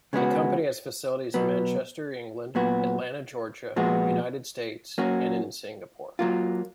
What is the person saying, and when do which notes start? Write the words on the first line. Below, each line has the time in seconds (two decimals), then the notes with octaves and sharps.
The company has facilities in Manchester, England, Atlanta, Georgia, United States and in Singapore.
0.13 C#3 G#3 B3 F#4
1.34 B2 F#3 B3
2.55 A#2 F#3 B3 F#4
3.76 A#2 F3 G#3 B3 F#4
4.98 F#3 A#3 C#4 F#4
6.19 F#3 A#3 F4